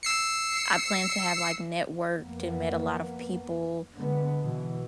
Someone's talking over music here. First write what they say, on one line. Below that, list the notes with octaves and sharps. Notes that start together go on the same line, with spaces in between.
I plan to have, like, networked and met a lot of people,
E6 C7 C#7
F2 A#3 B3
D3 G#3 B3
B2 E3